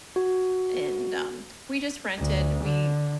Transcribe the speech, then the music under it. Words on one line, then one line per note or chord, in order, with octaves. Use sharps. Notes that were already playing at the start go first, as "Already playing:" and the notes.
and, um, we just rented we
F#4
D2
D3